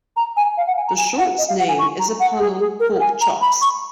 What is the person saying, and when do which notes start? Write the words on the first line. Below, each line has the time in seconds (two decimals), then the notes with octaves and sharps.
The short's name is a pun on "pork chops".
0.17 A#5
0.37 G#5
0.57 F5
0.67 F#5
0.77 G#5
0.88 A#5
0.98 G#5
1.18 F#5
1.38 D#5
1.48 F5
1.58 F#5
1.69 G#5
1.79 C#6
2.00 A#5
2.20 F#5
2.40 G#4
2.59 G#4
2.80 A#4
3.00 G#5
3.21 A#5
3.42 B5
3.62 C#6